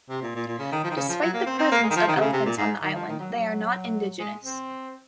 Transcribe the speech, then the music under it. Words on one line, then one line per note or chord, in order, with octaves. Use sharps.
Despite the presence of elephants on the island, they are not indigenous.
C3
A#2
A#2
A#2
C#3
D#3
F3
D#3
C#3
F3
F#3
A#3
C4
C4
A#3
G#3
D#3
F3
D#3
C3
C#3
C3
A#2
G#2
D#3
F3
D#3
F#3
F#3
G#3
C4